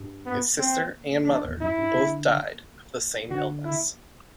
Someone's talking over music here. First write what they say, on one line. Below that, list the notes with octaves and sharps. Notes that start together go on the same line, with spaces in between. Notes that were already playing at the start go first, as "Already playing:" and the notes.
His sister and mother both died of the same illness.
Already playing: G2
B3
C4
E2 D4
E2
E2
F#2 E4
G2
D3
D3 F#4
E4